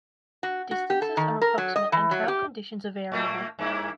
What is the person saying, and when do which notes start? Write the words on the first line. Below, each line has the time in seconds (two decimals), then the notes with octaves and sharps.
Distances are approximate and trail conditions are variable.
0.43 F#4
0.71 F#4
0.90 G4
1.02 A4
1.17 D#3
1.41 A#4
1.58 F#3
1.76 D#5
1.92 E3
2.11 F#3
2.28 G4
3.12 A2 A3 A#3
3.59 G2 A#3 E4